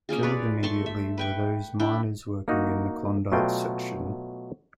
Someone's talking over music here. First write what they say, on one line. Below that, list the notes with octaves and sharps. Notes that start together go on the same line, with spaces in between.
Killed immediately were those miners working in the Klondike section.
A#3 C#4 F4 G#4
B4 C#5 D5
A3 A5 C6 C#6
E5
B4 G5 C#6
D4 E4 G5
A#3 D#4 F#4
B2 F#3 A3 F4 G5